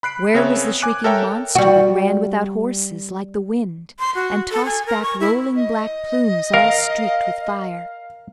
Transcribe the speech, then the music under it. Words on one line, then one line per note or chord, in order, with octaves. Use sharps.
Where was the shrieking monster that ran without horses like the wind and tossed back rolling black plumes all streaked with fire?
B5 F#6 C7 D7
C#3 B3 C4 A#4 C#5 E5
G#5 D6 F#6
A4 A#4 C#5 E5 G5 A#5
G3 F#4
C6
F#4
A4
G#5
A#4
C#6
E4
D#5
A#4 F5